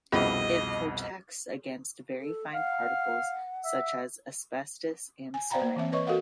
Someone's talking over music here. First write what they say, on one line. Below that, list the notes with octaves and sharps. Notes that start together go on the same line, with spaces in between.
It protects against very fine particles such as asbestos and ceramic.
C2 F2 B2 B3 C#4 F4 G#4 D#5
A4
F5 F#5
E5
G#5
C5 D5 F5 G5 A#5 B5
A#3
E3 C4 E5
B4 C#5 D#5 C#6
F#4 A4 A#4 D#5 F5 F#5